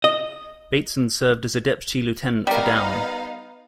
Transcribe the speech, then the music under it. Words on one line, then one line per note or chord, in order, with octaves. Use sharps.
Bateson served as a Deputy Lieutenant for Down.
D#5
G3 B3 D#4 A#4 F5